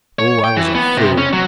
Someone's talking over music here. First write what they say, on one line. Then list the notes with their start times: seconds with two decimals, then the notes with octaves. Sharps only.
Oh, I was a fool!
0.19 C#5
0.44 G5
0.57 E3
0.75 B3
0.97 C3
1.18 C#4
1.33 F#3